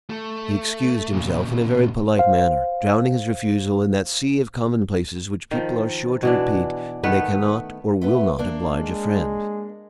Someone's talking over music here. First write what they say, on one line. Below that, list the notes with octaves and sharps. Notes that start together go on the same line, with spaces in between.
He excused himself in a very polite manner, drowning his refusal in that sea of commonplaces which people are sure to repeat when they cannot or will not oblige a friend.
A3
A#2 C#3
C5 F5
D#3 F3
B2 E3 D4
D#3 A3 B3 B4
A3 B3 B4
A#3 D4
G#3